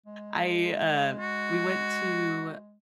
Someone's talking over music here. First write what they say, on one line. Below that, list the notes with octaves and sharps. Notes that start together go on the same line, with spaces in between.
I, uh we went to
G#3
F#4